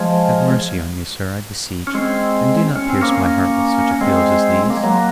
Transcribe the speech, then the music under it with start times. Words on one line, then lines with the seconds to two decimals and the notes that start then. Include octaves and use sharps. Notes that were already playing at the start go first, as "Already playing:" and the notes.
Have mercy on me, sir, I beseech, and do not pierce my heart with such appeals as these.
Already playing: F3 G#3
1.87 C#4
1.95 G#3 C4
2.76 C#4
2.90 C4
3.02 A#3 C#4
4.01 G#3 C4
4.70 A#3
4.77 G#3
4.84 F#3 A#3